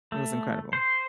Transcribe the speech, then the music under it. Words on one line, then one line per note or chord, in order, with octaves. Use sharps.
It was incredible.
A3
C5